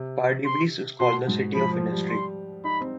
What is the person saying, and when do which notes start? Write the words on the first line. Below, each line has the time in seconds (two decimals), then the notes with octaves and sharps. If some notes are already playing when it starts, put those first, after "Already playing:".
Pardubice is called the city of industry.
Already playing: C3
0.46 C6
1.00 B2 C6
1.28 G#2
1.54 F3 B5
1.73 F3
1.92 G3
2.09 G3 C6
2.64 D#4 B5
2.81 C4